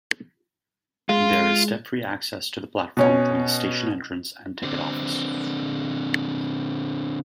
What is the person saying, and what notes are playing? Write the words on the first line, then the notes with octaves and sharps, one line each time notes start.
There is step-free access to the platform from the station entrance and ticket office.
G#3 F4
B2 C#4 C#5
D3 C4